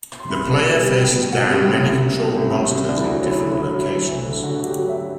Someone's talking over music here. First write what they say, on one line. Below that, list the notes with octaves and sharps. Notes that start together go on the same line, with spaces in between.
The player faces down many controlled monsters in different locations.
C6
C2 B5
C2
B2
G3
B2 G5
B2 G5
B2 F#5
F#4
C2 G4
C2
C2
C2
B2
C2
C2
C2
C2 D4
E4
D2 F#4
F#3
E4
D3
E4
F#3
F#3
F#3
D2
D3
D3 F#4
D3 F#4
G4
F#3
E5